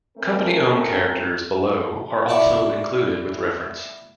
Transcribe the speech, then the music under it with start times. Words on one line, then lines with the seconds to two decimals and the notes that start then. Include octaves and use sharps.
Company owned characters below are also included with reference.
0.17 A3 C4 C#4 A#4
2.28 E4 D5 C#6